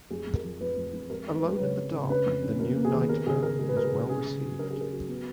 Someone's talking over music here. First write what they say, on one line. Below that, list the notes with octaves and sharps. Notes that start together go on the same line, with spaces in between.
"Alone in the Dark: The New Nightmare" was well received.
F2 G#4
F2
A#4
F3
F2 B4
F2
F2
G#3 A#4
G#3
B4
G#3
B4
C#3 C#5
G#3
C#3
C#4 B4
F2
C#4
A#3 A#4
A#3
G#4
D#3
B3 A#4
C#3 G#4
C#3 A#4
G#3 A#4
B4
C#3 A#4
G#4
C#3
C#4 G#4
C#3
F#3
C#4 A#4
G#4
C#4 A#4
F#3
B3